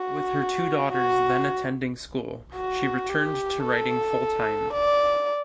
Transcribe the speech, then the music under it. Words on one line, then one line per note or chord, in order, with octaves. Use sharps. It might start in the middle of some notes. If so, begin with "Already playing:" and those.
With her two daughters then attending school she returned to writing full-time.
Already playing: F#4
F#4
F#4
G4
A4
D5